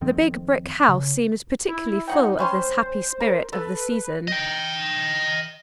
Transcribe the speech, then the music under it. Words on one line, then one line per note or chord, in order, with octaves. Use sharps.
The Big Brick House seemed particularly full of this happy spirit of the season.
F2 D#3 C4
C#3
E4
F#3 D#4 F#5 G5
G3 C#4 C5 C6
A#4
A4 B4
D#5 G5